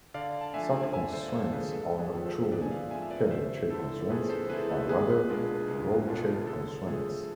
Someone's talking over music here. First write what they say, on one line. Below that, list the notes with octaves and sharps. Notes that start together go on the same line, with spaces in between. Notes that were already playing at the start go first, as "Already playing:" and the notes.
Such constraints are not truly "table check constraints" but rather "row check constraints".
D3 D5 F5
A5
F3 A3 D4 E5 G#5
D3 E5 G#5
A4 C5
F3 A3 D4 A4
G#4 B4
G#2 A4
G#4 B4
F3 A3 C4 F4
A4 C5
G#2 B4 D5
G#5
D5 F5
F3 A3 C4 F4 E5 G#5
E5
B4 D5
F2 C5 E5
D3 A3 E4 A4
F2 G#4 B4
A4 C5
D3 A3 E4 G#4 B4
A4
C2 G#4 B4
B2 G#3 D4 F4
C2
B2 G#3 D4 F4
D3 A4
F3 A3 G#4